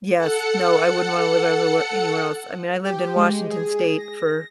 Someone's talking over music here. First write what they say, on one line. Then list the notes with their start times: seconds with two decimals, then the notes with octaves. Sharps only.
yes. No, I wouldn't wanna live everywhere anywhere else. I mean, I lived in Washington State for
0.17 A4 F#5 C#7
2.84 G4
3.16 G#3
3.50 G#4
3.98 A#6